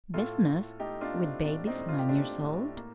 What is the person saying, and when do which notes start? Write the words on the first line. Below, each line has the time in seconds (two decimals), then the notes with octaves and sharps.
"Business!--with babies nine years old!"
0.14 A2 F4 A4
0.47 A2
0.80 A3 D#4 G4
1.01 D4 F4
1.12 C4
1.23 D4
1.45 A2 D4
1.67 C4 D#4
1.78 A2
1.89 F4
1.99 G4
2.09 A3 D4 F4
2.44 A2
2.77 A#3